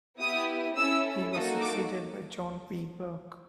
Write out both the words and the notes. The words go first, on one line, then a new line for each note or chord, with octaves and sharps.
He was succeeded by John P. Burke.
B3 E4 G4 D#6
C#4 E4 A4 E6
A#3 D#4 F#4 A4 D#6
D6